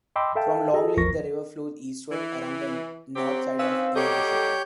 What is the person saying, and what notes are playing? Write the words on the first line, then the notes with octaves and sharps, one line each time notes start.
From Long Lake, the river flows eastward around the north side of Imlay City.
D#5 G5 B5 C6 D6 E6
A4 E5 F5 G5 A5
F#4 G#4 A4 D#5
A1 E2 F3 A#4 C#6 A#6
E3
F#3 C4 G4
C#4 D#4 B4 F5 E6
F#3 G3 G4 A4 C#5 D#5 G6